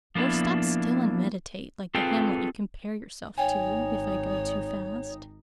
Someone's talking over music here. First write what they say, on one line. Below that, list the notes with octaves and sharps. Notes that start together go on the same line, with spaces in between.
Or stop still and meditate, like the Hamlet you compare yourself to, if I go too fast.'
F3 A#3 B3 D4 E4
C4 F4 G#4 A4 B4 G5
G#1 D#4 C#5 G5 G#5